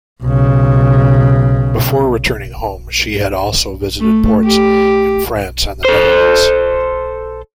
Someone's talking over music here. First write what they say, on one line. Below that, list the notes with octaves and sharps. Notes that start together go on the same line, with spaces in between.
Before returning home, she had also visited ports in France and the Netherlands.
B1 C#3
A3
G4
A4 C5